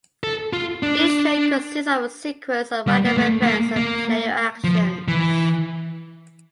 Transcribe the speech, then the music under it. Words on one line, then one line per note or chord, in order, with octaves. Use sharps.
Each turn consists of a sequence of random events and player actions.
A4
F4
D4
G3
A#3
A3
A3
A#3
A#3
F3
E3